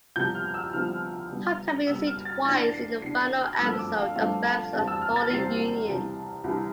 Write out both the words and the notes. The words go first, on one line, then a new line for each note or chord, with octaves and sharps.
Pop can be seen twice in the final episode of "Bam's Unholy Union".
C2 C3 F3 B3 G6
F6
E6
C2 C3 F3 B3 F6
C3 G3 B3
C3 G3 B3 E6
F6
A6
C3 E3 B3 D4 A6
C7
C3 E3 B3 D4 C7
F6
G2 F3 A3 C4 E6
E6
D6
F5
G2 F3 A3 C4 F5
E2 C3 G3 C4 A5
E6
F6
A6
E2 C3 G3 C4 C7
C2 C3 E3
C2 C3 E3